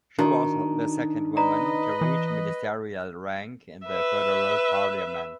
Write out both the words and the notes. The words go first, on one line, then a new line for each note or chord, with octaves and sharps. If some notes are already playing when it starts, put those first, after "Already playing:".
She was the second woman to reach ministerial rank in the Federal Parliament.
D#3 D4 F#4
B4 D5 D#5 A#5
E3
B4 E5